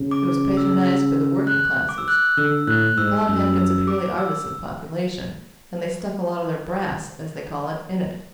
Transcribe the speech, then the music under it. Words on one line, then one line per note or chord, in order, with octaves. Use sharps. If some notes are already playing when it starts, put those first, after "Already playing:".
It was patronized by the working classes--Cloudhampton's a purely artisan population--and they stuck a lot of their brass, as they call it, in it.
Already playing: C#3
D6
E6
F#6
D6
E6
F#6
D3 E6
A2 F#6
G#2 E6
F#2 E6
E6
D6
E6